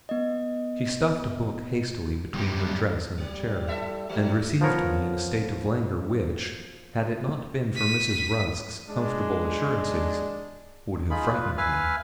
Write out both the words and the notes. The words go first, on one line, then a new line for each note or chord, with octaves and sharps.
She stuffed a book hastily between her dress and the chair, and received me in a state of langour which, had it not been for Mrs. Rusk's comfortable assurances, would have frightened me.
B3 D#5
F#2 G3
G3 A#3
E4 A4 E5
D#3 G3 A3
F3 B3 A#4 C#5
B6 D#7
G#3 D4
D#4 F4 G#4 B5
F4 B4
B4 E5 F5 G#5 F6